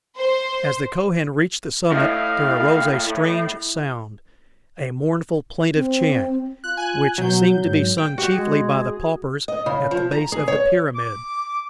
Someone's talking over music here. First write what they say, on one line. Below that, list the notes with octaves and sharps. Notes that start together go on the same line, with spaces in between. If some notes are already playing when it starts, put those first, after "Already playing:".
As the Kohen reached the summit there arose a strange sound--a mournful, plaintive chant, which seemed to be sung chiefly by the paupers at the base of the pyramid.
C5
A2 E4 D#5 F5
C4
F4 F#6
G#5 F#6
B2 F#3 G6
G#2
G5
F#4 G4
G#3 G#4
D#5
C#3
F3
A#5
G#4
C#5
D6